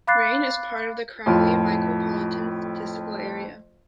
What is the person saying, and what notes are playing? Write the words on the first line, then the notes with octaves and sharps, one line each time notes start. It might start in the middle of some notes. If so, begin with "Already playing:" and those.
Rayne is part of the Crowley Micropolitan Statistical Area.
F5 B5 D6 F#6 A6 C7
F2 A2 F4